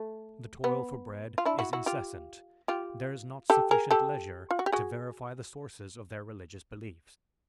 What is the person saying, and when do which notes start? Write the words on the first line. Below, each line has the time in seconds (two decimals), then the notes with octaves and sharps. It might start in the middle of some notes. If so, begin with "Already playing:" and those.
The toil for bread is incessant, there is not sufficient leisure to verify the sources of their religious beliefs.
Already playing: A3
0.64 B3
1.38 F4
1.45 D4 E4
1.59 E4 F#4
1.73 E4 F#4
1.86 F4 G4
2.68 F4 G4
3.50 G4 A4
3.71 G#4 A#4
3.91 G4 A4
4.51 F4
4.59 F#4
4.66 G4
4.72 F#4 G#4